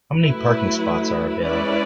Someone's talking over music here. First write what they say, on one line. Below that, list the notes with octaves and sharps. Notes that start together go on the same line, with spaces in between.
How many parking spots are available?
F#3 A3 E4 B4
G#3 C#4 E4 B4 D5